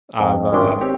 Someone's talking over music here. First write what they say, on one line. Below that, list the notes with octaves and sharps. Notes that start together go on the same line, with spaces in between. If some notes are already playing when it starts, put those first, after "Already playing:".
I've, uh
F2
G#1 G#3 C#4 D4 G5
C4 G4 C#5